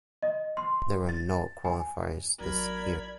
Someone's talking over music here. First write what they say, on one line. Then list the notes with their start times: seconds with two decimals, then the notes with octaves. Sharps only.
There were no qualifiers this year.
0.23 D#5
0.57 C6
1.09 A6
1.65 G#5
2.40 A1 F#3 A#4 D5 B5 G#6 A6